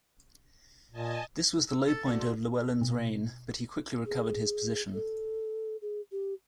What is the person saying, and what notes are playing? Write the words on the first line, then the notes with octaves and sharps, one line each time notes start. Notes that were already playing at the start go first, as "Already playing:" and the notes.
This was the low point of Llywelyn's reign, but he quickly recovered his position.
A#2 D#5 G#5 A5
E6
A4 A6
D2 A4
C6
B2
G#4
A4
G#4
G4